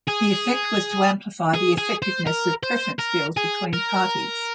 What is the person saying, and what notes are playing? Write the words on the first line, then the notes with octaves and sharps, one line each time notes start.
The effect was to amplify the effectiveness of preference deals between parties.
G#4
G#4
G#4
C5
A#4
C5
A#4
G#4
A#4